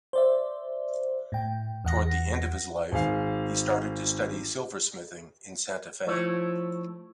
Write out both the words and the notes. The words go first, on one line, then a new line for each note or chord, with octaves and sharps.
Toward the end of his life he started to study silversmithing in Santa Fe.
C5 D5 E5
A2 G5
E2 F#5 A#6
G#1 G#4 F5 C7
F3 A3 E4 C#5